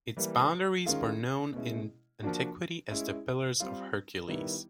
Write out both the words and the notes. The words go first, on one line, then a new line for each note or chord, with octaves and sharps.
Its boundaries were known in antiquity as the Pillars of Hercules.
E3 G3 A#3
D#3 G#3 C#4 F4 G#4
B2 G#3 C#4 E4
F3 A#3 D4 F#4
G#3 C#4 E4
G3 C4 F4
D#3 G3 B3 E4